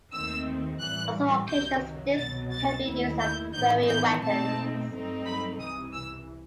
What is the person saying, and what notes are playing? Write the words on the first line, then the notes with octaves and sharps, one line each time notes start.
On some occasions, sticks can be used as throwing weapons.
D#2 D#3 A3 C4 E6
A2 E3 G3 F#6
C2 C3 D#3 F#3 G6
C2 B2 F#3 A6
A6
D#2 D#3 A3 E4
G6
A2 E3 B3 D#4 G6
G6
B2 A3 C4 D#4 A5
G2 F#3 A3 C4 D#4
B5
C2 C3 E3 D#6
E6